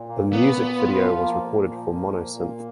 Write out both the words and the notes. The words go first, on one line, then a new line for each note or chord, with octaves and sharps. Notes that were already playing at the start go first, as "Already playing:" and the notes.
A music video was recorded for Monosynth.
Already playing: A#2
A#3
A#2 B3
A#2
F4
F3
A#3
A#2
F3
A#3
A#2
A#3